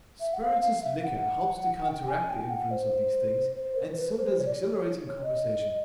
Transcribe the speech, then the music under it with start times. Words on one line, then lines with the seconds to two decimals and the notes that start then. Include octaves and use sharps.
Spirituous liquor helps to counteract the influence of these things, and so does exhilarating conversation.
0.20 E5
0.33 F#5
0.41 F5
0.61 F5
0.82 E5
1.04 F#5
1.87 G5
2.07 G#5
2.30 G5
2.49 F#5
2.70 C5
3.55 C5
3.75 A#4
3.93 C5
3.96 B4
4.17 C5
4.38 C#5
4.46 D5
4.53 C#5
5.23 D#5